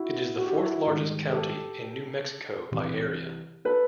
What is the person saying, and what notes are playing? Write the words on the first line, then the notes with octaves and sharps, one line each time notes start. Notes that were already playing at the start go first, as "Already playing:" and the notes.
It is the fourth-largest county in New Mexico by area.
Already playing: E4 F#4
F#4
G4
E4 F#4
G#2 D#3 G3
G4 A4
C2 C3 E3 G3
A4 B4